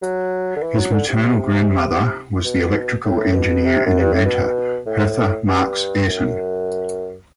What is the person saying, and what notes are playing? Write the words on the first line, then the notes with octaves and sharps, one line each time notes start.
His maternal grandmother was the electrical engineer and inventor, Hertha Marks Ayrton.
F#3
D3
E3
F#3
D3
C3
B2
A2
B2
C3
F#2
G2
A2
B2
A2
G2
F#2